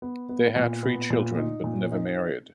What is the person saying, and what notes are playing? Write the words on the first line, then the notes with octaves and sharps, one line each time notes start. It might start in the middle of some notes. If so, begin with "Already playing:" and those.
They had three children, but never married.
B3
B3
A#2
B3
A#2
D#4
A#2
D#4